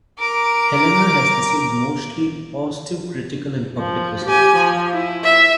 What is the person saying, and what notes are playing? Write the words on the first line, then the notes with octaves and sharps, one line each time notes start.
Helena has received mostly positive critical and public reception.
A#4 D6
F3
G4 G#5
F3
E4
E5